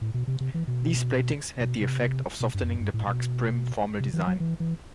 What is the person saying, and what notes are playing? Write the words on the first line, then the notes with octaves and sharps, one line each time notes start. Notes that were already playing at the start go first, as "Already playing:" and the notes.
These plantings had the effect of softening the parks' prim formal design.
A2
B2
C3
C3
E3
B2
B2
C3
B2
G2
E2
F#2
G2
A2
B2
C3
E3
F#3
E3
E3